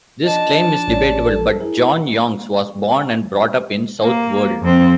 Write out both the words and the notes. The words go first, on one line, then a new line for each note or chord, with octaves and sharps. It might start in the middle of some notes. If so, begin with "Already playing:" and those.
This claim is debatable, but John Youngs was born and brought up in Southwold.
D4 D#5 A5
A1 C#4 D5
A4
E4 G#4 A#4
A#3
F2 C4